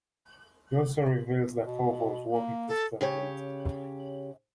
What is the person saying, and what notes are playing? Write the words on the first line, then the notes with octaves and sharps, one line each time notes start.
He also reveals that Koval was working for Starfleet.
B2
A#3
A4
C#3 G4 C#5